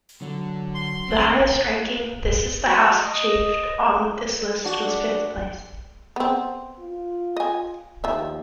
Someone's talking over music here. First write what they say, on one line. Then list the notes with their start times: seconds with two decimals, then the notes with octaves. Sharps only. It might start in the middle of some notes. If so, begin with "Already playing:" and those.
The highest ranking "This Is the House" achieved on this list was fifth place.
0.22 D3 F#3
0.75 C6
1.08 D2 C4 D4
2.67 F#4
2.99 D#5
4.64 D4 F#4
6.16 B3 C4
6.80 F4
7.37 D#5 G#5
8.04 D#2 F3 E5